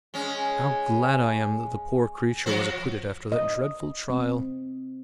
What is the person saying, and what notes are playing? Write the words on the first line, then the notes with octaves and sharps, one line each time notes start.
How glad I am that the poor creature was acquitted after that dreadful trial.
G#3 C#4
F3 F#4 C5
D#5
C4